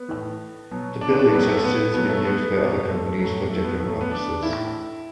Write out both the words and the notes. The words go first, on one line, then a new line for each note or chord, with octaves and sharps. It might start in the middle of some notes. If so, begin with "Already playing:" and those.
The buildings have since been used by other companies for different purposes.
Already playing: B3
A2 E3
B2 F#3
D4
B3
D4
A2 F#3 B3
A3
B3
B2 F#3 B3
A3
B3
B2 F#3
A3
A2 F#3
A3
B3
A2 F#3 A3
A3
B3
D4
A2 E3 E4